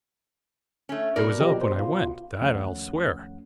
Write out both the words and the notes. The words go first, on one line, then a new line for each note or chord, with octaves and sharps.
'It was up when I went, that I'll swear.
A3 C#4
B2 A#4 D5
F3 G4 D#5
C5
F4
D#2 F3 A3 C#4 F#5